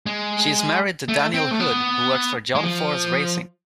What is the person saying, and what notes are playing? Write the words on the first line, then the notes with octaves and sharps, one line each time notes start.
She is married to Daniel Hood, who works for John Force Racing.
G#3
A3
C4
A3
B3
G#3
F3